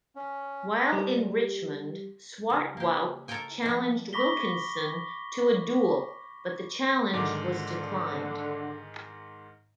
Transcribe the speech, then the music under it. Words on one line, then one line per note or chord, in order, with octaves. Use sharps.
While in Richmond, Swartwout challenged Wilkinson to a duel, but the challenge was declined.
C#4
G3
C#3 G3
A#3 G4
A4 A#4 C#5 G5 G#5
D#3 F3 A3
B5 C#6 D6 A#6 B6 G7
G#2 D3 D#3 D6